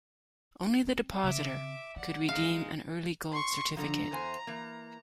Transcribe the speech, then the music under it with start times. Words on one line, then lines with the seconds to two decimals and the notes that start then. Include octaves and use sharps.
Only the depositor could redeem an early gold certificate.
0.84 F#3 C4
1.23 C#3 C4 E5 D6
1.96 F3 D5 F#5
2.29 G#3 D#4 F5
3.32 C6 C#6
3.77 D3 F3 A#5
4.12 E2 C5 G#5
4.47 E3 A#3